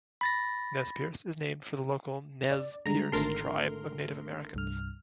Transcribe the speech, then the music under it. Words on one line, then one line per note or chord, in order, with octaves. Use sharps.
Nezperce is named for the local Nez Perce tribe of Native Americans.
B5 A6 A#6
D5
D3 G3 G#3 A#5
G#1 D3 A3 A#4 A5 C6 A6 A#6
F6
C2 G2 F6